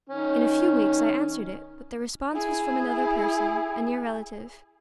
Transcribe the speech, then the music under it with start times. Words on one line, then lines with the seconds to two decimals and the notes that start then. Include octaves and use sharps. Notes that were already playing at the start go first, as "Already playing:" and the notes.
In a few weeks I answered it; but the response was from another person, a near relative.
0.09 D#3 C#4
2.33 E4 G#4